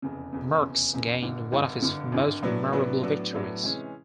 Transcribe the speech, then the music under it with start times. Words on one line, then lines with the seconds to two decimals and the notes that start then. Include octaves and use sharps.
Merckx gained one of his most memorable victories.
0.02 F1 E2 C#3
0.33 F1 E2 C#3
0.62 F1 E2 C#3
0.92 F1 E2 C#3
1.22 G#1 G2 D3
1.52 G#1 G2 D3
1.82 G#1 G2 D3
2.12 G#1 G2 D3
2.43 A2 F#3 B3 D4
2.72 A2 F#3 B3 D4
3.03 A2 F#3 B3 D4
3.33 A2 F#3 B3 D4
3.63 C3 E3 G#3 C#4